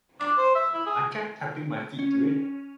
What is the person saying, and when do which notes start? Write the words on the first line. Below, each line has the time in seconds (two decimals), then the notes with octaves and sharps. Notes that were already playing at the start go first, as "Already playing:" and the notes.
I kept tapping my feet to it.
0.20 D4
0.38 C5
0.55 E5
0.74 E4
0.86 G#4
1.99 C#4